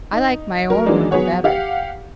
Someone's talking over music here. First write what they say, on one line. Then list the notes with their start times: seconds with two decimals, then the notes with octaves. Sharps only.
I like my own room better.
0.13 D#4
0.70 F#3 A#4
0.86 E3 F#3 G#3 A#3 D4 D#4
1.11 F#3 B3 G#4 C#5 F#5
1.44 G4 F5 F#5